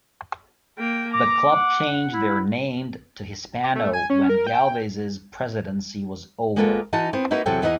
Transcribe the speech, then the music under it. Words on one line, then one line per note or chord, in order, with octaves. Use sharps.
The club changed their named to Hispano when Galvez's presidency was over.
A#3 G5
A#5 D6
F#5
E4
G4
A3
G#5
C#4
A#4
G5
G#3 A#3 B3 F4 F#4 A4
E3 D#4 F#4 A5
B3 C4
A#3 D#4 E4 F#4 B4
E2 C3 F#3 A4 G5
E2 E3 B3 D#4 E4 D#5